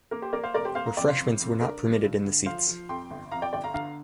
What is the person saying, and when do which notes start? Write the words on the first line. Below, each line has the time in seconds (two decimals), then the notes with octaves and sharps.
Refreshments were not permitted in the seats.
0.11 A#3 A#4
0.22 G4 C5
0.33 A#3 A#4 D5
0.43 C5 F5
0.54 F1 A#4 D5
0.65 G4 C5
0.75 A#3 C5 F5
0.86 F5 A#5
0.97 F2 D5 G5
1.08 C5 F5
1.18 F2
1.40 F2
1.61 D4 A#4 D5
1.82 F3
2.04 G2
2.25 D3
2.46 F3 C5 F5
2.67 F3
2.89 F2 G5 C6
3.10 G1
3.31 F2 F5 A#5
3.42 D5 G5
3.53 G1 D5 G5
3.64 F5 A#5
3.74 D3 F5 A#5